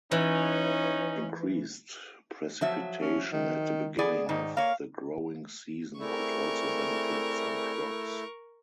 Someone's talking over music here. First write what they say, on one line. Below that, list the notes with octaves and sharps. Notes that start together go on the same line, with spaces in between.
Increased precipitation at the beginning of the growing season could also benefit some crops.
E3 C#4 D#4
F3 F#3 E5
C#4
D#3
B3 G#4 D5
G#2 D#3 D#4
A#3 C#5 F5
A3 C4 E4 G#4 A#4 D5 C#6